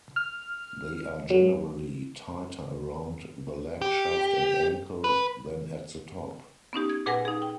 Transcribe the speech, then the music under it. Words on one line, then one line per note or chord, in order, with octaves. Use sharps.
They are generally tighter around the leg shaft and ankle than at the top.
F6
F#3
G4
B4
B3 C#4 D#4 G4
G#6
A#2 G#4 B4 F#5 G#5 A#6
D#4 G#4
G5